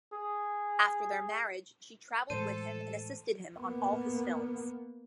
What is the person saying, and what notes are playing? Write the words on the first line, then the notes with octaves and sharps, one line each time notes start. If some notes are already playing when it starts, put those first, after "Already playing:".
After their marriage she traveled with him and assisted him on all his films.
G#4
A2 E3 G#3 A4 C5 D#7
A#3 B3